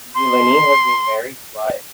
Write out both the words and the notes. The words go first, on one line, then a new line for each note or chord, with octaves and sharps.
Delaney has been married twice.
C6